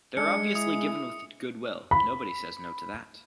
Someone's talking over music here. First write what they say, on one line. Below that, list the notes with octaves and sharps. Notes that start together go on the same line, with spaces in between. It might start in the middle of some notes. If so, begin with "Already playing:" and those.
They're obviously given with good will, nobody says no to that.
G#3 D4 C#7
E4 D#6
B5